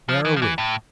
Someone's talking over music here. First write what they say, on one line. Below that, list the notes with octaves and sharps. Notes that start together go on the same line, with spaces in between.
Where are we?
F3
E3
F3
E3
A2